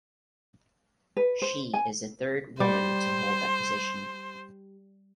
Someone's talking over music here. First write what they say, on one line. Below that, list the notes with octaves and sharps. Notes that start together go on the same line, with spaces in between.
She is the third woman to hold that position.
B4
C5
G#5
G3 C5